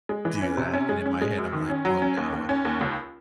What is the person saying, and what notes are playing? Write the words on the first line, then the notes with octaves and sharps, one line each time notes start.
do that." And in my head, I'm like, "Oh, no," so
G#3
E3
C#4
C3
C#4
G#3
C#4
G#3
F#2
D#3
C#4
F#3
C#4
D#2
D#2
C#4
D#2
C#2